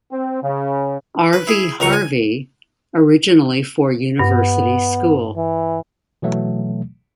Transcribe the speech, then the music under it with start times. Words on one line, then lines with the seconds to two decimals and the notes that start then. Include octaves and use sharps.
R. V. Harvey originally for University School.
0.12 C4
0.42 C#3
1.33 B4
1.47 E4 G#4
1.80 C#2 A#4 A#5 C#6
1.93 G#5
4.19 G2 B3
5.36 E3
6.22 B2 E3 F#3 A3